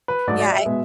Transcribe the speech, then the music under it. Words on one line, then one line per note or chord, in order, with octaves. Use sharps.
yeah I
B4
G#2 F#3 A3 D5
D5
E5
B2 G#3 B3